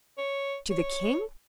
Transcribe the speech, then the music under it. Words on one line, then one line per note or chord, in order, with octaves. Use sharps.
"To the king?"
C#5
C#5